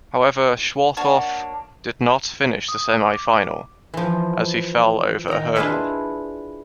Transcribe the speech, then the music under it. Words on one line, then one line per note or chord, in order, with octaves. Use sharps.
However, Schwarthoff did not finish the semi-final as he fell over a hurdle.
A#3 D4 F#4 C#5
D#6
D6
E3 F3
D#3 A#5
D4 E4 F4 G#4 B4 E5